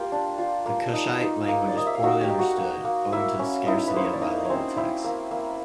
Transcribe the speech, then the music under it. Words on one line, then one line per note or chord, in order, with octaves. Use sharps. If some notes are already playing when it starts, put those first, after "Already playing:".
The Kushite language is poorly understood, owing to the scarcity of bilingual texts.
Already playing: A#3 F4 G4 G5
D4
F4
A#3
D#4
D#4
A#3
D5
A#3 D#5
E5
F5
D#4 F#4 F#5
G4 G5
D#4
F#4 F#5
A#3
A#3
A#3 E4 E5
C#4
D#4 E4 D#5
B4
A#3 C5
C#5
D5
A#3 D#4 D#5
C4 C#4 C5 C#5
E4
A#3
A#3